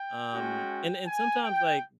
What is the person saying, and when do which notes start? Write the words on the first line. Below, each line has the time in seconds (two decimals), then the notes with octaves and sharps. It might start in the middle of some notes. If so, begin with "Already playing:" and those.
Um, and and sometimes, like,
Already playing: G5
0.32 G#3 C#4 F#4
1.06 G#5
1.44 G5